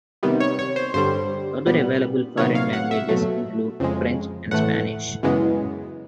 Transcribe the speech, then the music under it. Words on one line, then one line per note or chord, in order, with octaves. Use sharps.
Other available foreign languages include French and Spanish.
C3 D#3 G3 B3
C#5
C#5
C5
G2 D3 G3 C5
A#2 G3 B3
C3 D#3 F#3 B3 C#5
F5
F#5
E5
B2 F#3 A3
F2 C#3 F3 G#3
A2 E3 A3 F#5
F#2 C#3 E3 G#3 B3